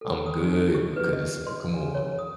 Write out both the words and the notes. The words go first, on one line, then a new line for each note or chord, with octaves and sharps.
"I'm good," because it's, like, "Come on."
A4
D#6
D#4
C#6
B4
D#5
C6
G#5
C#5
D#6